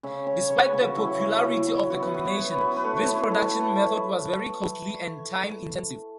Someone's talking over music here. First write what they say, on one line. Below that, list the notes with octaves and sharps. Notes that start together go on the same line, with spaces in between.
Despite the popularity of the combination, this production method was very costly and time-intensive.
C#3 E5
C#4 C#5
C#3 C#5
B4
C#3
F#4
F#3 E4
E4
E4
F#3
B3 F#4
B4
B3 B4
C#5
B3 B4
B3 B4
B4
A3 C#5
C#5
A3 B4
E4 A4